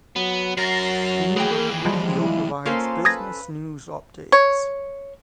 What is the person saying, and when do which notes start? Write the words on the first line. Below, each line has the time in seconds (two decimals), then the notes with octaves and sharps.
Bloomberg Radio provides business news updates.
0.16 F#3 B3
0.57 F#2 F#3 A#4 A6 A#6 C7
1.36 D#2 E3 G#4 G5
1.85 F3 G3 G#3
2.18 E4
2.66 A#3 C#4 F4 A4 A#4 C5
3.05 B4 D#6 G#6 A#6
4.32 C#5